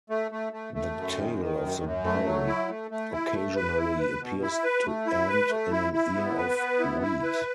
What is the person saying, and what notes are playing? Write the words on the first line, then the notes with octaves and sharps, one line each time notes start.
The tail of the bull occasionally appears to end in an ear of wheat.
A3
A3
A3
A3
F#2
D#3
D#3
F#2
F#2
A3
F#3
E4
A3
A3
E4
A3
B4
E4
B4
B2
E4
B4
A3
E4
B4
A3
E4
E4
B3
B4
B3
E4
E4
B4